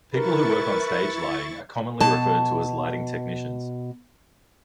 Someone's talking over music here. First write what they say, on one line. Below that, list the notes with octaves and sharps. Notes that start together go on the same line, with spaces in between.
People who work on stage lighting are commonly referred to as lighting technicians.
E4 A#4 B4 C#6 A6
B2 A5